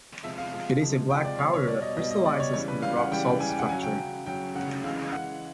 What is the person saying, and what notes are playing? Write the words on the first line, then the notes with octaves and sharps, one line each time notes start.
It is a black powder that crystallises in the rock salt structure.
C3 F3 G#3 E5
F5
C3 F3 G#3
C3 F3 G#3
C3 F3 G#3 G5
D5
B2 G3 C#5
C#5
B2 G3 D5
D#5
B2 G3 D#5
D#5
B2 G3 D5
C#5
C#3 E3 G3 C#5
B4
C#3 E3 G3 F5
F#5
C#3 E3 G3 G5
C#3 E3 G3 G#5
G5
F#5
C#3 F#3 G#5
G5
C#3 F#3
C#3 F#3 G5
C#3 F#3 F#5
C#3 E3 G#3 F5
C#3 E3 G#3 F#5